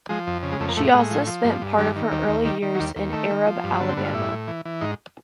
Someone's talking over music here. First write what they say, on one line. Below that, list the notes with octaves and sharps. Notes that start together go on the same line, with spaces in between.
She also spent part of her early years in Arab, Alabama.
F3 G#3
F2
C#3
G#3
F2 A3
A#3
A2 A3
A2 G#3
F3
F3
G2
G2
D#3 G3
D#3
D#2 G3
G3
D#2
D#3 G3
D#3
F#3
D#2 G3
D#2
D#3 A3
D#3
F3
G2
D3 B3
C4
G2 B3
F4
A2 E4
A2
E3
E3
G#2 D#4